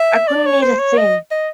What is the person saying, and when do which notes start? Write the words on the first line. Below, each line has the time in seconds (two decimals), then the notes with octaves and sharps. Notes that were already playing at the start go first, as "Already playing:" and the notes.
I couldn't eat a thing.
Already playing: E5
0.28 D5
0.46 C#5
0.62 C5
0.79 C#5
0.98 D#5
1.31 D#5